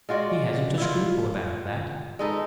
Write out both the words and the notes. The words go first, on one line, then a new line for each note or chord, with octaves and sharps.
He hasn't a scruple about that.
G#3 F4 F#4 D5
E4 F4
G#3 D#4 A4 B4